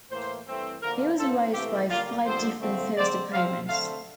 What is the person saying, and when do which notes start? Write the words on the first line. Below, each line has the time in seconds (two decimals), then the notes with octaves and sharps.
He was raised by five different foster parents.
0.10 A2 E3 A#3 C5
0.46 G2 E3 A3 C4
0.81 D3 F3 A#3 A#4
1.18 A#2 F3 C4 A4
1.53 C3 E3 A3 C4 G4
1.89 D3 G3 A#3 F4
2.24 G2 D3 F3 C4 C5
2.60 D3 F3 A3 C4
2.96 D3 G3 C4 D5
3.31 C3 F3 C4 F5
3.67 D3 A3 C4 F5